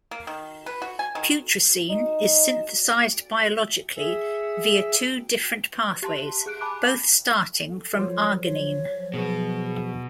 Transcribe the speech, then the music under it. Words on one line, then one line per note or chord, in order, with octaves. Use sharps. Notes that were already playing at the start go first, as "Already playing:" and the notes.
Putrescine is synthesized biologically via two different pathways, both starting from arginine.
A#3
D#3
B4
F#4
G#5
D#3
D#4
G#4 E5
G4 A5 C6
G#4 F#6 D7
G#5 A5 B5 D6 F#6
F3 F#3 C5 C#5
C#5
B2 B3 G#4